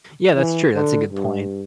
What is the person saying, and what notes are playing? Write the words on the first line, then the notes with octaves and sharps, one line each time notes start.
Yeah, that's true. That's a good point.
E3
D3
G2